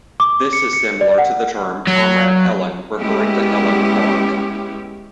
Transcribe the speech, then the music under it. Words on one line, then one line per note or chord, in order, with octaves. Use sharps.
This is similar to the term "Comrade Helen", referring to Helen Clark.
D6
C#7
C#7
D5
F#5
F#3
G#3 B3 C#4 E4 G4